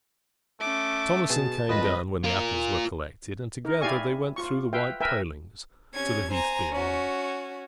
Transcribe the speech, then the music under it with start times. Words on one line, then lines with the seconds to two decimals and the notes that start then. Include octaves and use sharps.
Thomasin came down when the apples were collected, and together they went through the white palings to the heath beyond.
0.60 A3 C#4 D6
1.30 B2 G#4 A5
1.69 G#1 F2 F3 B4 D#5
2.24 F4 A#4
3.65 D#4 A#4
3.81 E4 G4 D5 F5 G#5 C#6
4.36 F4 C#6
4.73 B4 E5 F5 G5
5.01 A#4 B4 E5 G5 G#5
5.94 C3 C#4 G#6
6.32 C5 G#5 A#5
6.72 C#4 F#4